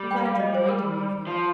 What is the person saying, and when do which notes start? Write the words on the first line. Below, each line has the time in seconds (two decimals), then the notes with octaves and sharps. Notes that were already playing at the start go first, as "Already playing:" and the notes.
I'm glad you reminded me of him.
Already playing: G3
0.11 G5
0.26 F5
0.40 D#5
0.54 C5
0.69 A#4
1.27 F3